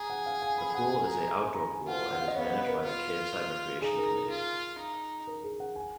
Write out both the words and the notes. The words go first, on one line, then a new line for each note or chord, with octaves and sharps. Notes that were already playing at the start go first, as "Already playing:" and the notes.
The pool is a outdoor pool and is managed by the Caveside Recreation Committee.
Already playing: G#4 A#5
F#5
F5
G#5
B5
G#5
F#5
G#5
A#5
A#5
G#5
A#5
G#5
F4 F#5
F#5
F5
D#5
B3 C#5
B4
A#4
F4 B4
D#4 G#4
A#4
A#4
F4
D#4
A#4
G#4
F#5
G#5